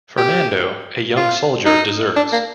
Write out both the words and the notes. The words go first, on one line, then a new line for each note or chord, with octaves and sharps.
Fernando, a young soldier, deserts.
G4
F4
D#4
D4
A#3